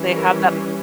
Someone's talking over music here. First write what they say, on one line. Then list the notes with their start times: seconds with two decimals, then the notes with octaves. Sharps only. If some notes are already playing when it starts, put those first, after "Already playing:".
they have that
Already playing: E3 G3 C#4
0.16 A#4